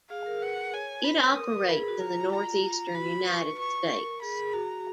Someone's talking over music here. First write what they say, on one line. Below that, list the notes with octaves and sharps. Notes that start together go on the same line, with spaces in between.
It operates in the northeastern United States.
G#4 F5
A#4
B4 F#5
C#5 G#5
B4 B5
A#4 D#6
B4
A#4 B5
G#4
F#4
F4 A#5
A#5
F#4 B5
B4 C#6
B4 C#6
A#4 C#6
G#4 B5
G#4
F#4 A#5